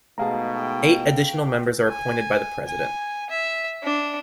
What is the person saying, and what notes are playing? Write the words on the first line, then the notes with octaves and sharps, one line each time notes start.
Eight additional members are appointed by the President.
G#2 B2 A3 G#4 F5 A5 A#5
G5
G#5
G#5
E5
D4